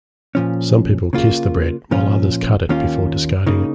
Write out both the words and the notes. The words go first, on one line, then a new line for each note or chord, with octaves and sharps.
Some people kiss the bread while others cut it before discarding it.
A#2 F3 C#4
C#3 A#3 F4
A#2 F3 C#4 F4
D#2 D#3 A#3 C#4 F4
C#3 A#3 D#4